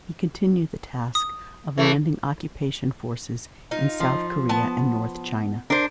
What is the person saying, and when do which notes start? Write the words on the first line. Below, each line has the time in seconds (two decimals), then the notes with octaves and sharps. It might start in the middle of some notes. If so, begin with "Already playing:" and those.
He continued the task of landing occupation forces in South Korea and North China.
1.15 D#6
1.78 E3 A3
3.71 D#4 F4
4.00 F3
4.49 B3 A5
5.70 D4 A#4 C5